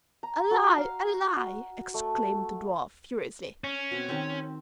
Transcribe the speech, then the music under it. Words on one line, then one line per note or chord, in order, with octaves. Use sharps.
"A lie!--a lie!" exclaimed the dwarf, furiously.
A#5
F#4
F5
F#4
A3
C#4
B2 C4
D#3 C4